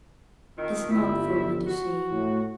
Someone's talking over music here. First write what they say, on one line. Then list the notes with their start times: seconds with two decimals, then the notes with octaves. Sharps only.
"It is not for me to say."
0.57 F2 D#3
0.90 G1 G3 C4 E4
1.66 F#4
2.11 A2